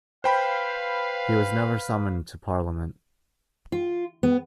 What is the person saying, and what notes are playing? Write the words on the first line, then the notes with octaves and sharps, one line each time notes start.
He was never summoned to Parliament.
B4 C5 F5 G5 B5
F4
B3